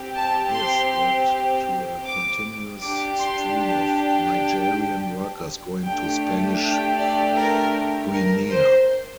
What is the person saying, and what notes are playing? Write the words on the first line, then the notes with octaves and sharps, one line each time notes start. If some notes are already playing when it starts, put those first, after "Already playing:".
This led to a continuous stream of Nigerian workers going to Spanish Guinea.
Already playing: C4 G4
A5
C6
D6
D4 G4 D6
C6
A5
G5
A3 D4 G4 G5
G5
D5
A#4
A#4
C5